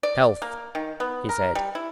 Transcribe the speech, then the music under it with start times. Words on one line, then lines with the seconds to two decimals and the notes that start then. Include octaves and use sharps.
"Health," he said.
0.03 D5
0.42 A#3
0.75 D#3
1.00 B3
1.29 A#4
1.55 G3
1.75 E4